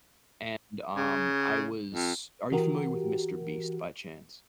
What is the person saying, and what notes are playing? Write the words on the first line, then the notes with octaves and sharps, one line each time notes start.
And, um, I was are you familiar with MrBeast by chance?
C#3
F2
E3 F#4 G4 A#4